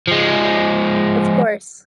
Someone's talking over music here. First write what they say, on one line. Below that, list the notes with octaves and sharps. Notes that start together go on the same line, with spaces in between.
of course.
F3 G#3